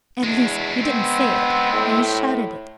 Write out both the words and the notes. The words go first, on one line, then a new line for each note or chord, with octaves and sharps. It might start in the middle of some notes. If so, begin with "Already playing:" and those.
"At least--you didn't say it--you shouted it!"
E2 G#3 D4
B3 C4
A2